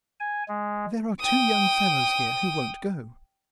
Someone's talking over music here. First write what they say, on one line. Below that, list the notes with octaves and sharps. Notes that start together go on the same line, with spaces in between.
"There are two young fellows here who won't go."
G#5
G#3
G5 D#6